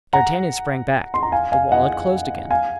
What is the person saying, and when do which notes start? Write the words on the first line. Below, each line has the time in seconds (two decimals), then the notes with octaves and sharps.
D'Artagnan sprang back; the wall had closed again.
0.13 F#5 A#5
1.14 C6
1.23 A#5
1.32 F5 G#5
1.52 F5 G#5
1.72 D#5 F#5
2.51 F5 G#5